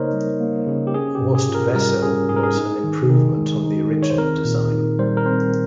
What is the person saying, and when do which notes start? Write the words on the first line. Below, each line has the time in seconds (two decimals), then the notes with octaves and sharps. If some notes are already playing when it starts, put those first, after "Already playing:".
"Horst Wessel" was an improvement on the original design.
Already playing: C#3 A#3 D#4 A#4 C5 C#5 D#5
0.13 G3
0.40 A#3
0.67 C#3
0.87 G4
0.94 C#4 G#4
1.15 G4
1.22 G#2
1.35 G#4
1.49 F4
1.55 A#4
1.75 G3 A#4
2.02 C#4 G#4
2.29 G#2 G#4
2.37 A#4
2.43 G#4
2.57 D#4
2.84 D#3
3.10 D#3
3.38 G#3
3.64 D#4
3.91 D#3
4.03 C#5
4.10 C5
4.18 C4 A#4
4.45 A#2
4.72 D#4
4.99 G3 C5
5.17 A#4
5.26 C4 C5